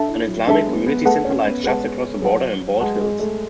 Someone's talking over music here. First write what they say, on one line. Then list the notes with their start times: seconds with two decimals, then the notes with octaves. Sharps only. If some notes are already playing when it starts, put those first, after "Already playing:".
An Islamic community centre lies just across the border in Bald Hills.
Already playing: D4 A4 E5 A5
0.08 E4
0.28 F#3
0.46 G#3 D4 A4 E5 A5
0.67 B3
0.86 B3
1.05 A3 G#4 B4 F#5 A5
1.25 C#4
1.45 B3
1.64 G#3 G#4 B4 F#5 A5
2.22 F#3 G#4 B4 F#5 A5
2.80 G#3 G#4 B4 F#5 A5
3.00 G#3
3.19 A3